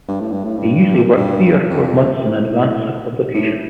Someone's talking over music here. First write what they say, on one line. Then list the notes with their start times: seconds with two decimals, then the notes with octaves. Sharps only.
They usually work three or four months in advance of publication.
0.08 G2
0.20 A2
0.31 G2
0.44 A2
0.57 G2
0.95 C3
1.02 A#2
1.09 A2
1.17 G2
1.70 F2
2.25 A2
3.34 A2